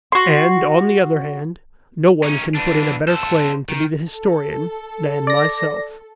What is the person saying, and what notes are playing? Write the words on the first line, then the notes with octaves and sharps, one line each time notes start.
And, on the other hand, no one can put in a better claim to be the historian than myself.
F#4 C6
C#4 D#4
E3 D4
A4 C5
D#3
A4
D5 A#6